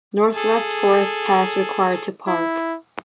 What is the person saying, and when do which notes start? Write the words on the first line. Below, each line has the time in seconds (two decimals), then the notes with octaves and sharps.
Northwest Forest Pass required to park.
0.35 G#4 A4
2.28 E4